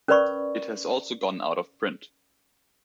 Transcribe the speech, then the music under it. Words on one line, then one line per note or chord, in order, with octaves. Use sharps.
It has also gone out of print.
C#4 A#4 B4 D5 B5 C#6